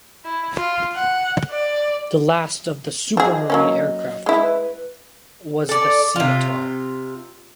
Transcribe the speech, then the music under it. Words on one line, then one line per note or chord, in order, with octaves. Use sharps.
The last of the Supermarine aircraft was the Scimitar.
E4
F4
F#5
D5
F3 G#4 D#5
F#3 A#3 C#4
G#3 E4
B4
A4 D5
C3 F4